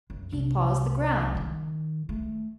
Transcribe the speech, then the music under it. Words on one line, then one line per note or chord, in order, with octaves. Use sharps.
He paws the ground.
F#2
C2
D#3
A3